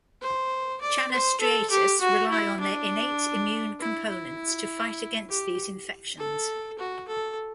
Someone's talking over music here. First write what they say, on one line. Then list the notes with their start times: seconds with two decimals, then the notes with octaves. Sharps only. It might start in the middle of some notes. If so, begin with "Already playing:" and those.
Channa striatus rely on their innate immune components to fight against these infections.
0.22 C5
0.81 D5
1.11 C5
1.41 A4
1.70 G4
2.01 F#4
2.30 E4
2.60 D4
3.80 E4
4.09 E4
5.29 G4
6.18 A4
6.79 F#4
7.08 A4